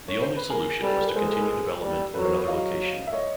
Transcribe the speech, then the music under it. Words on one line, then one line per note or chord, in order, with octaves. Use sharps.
The only solution was to continue development in another location.
C#5
C5
B4
G#4 A#4
G3 A4 B4
A4
A#4
B4
G#3 A#4 C5
A4 B4
G#4 A#4
A4 B4
G3
F#3 A4 B4
A#4 C5
B4 C#5
F#3 D#5 F5
E5
C#5 D#5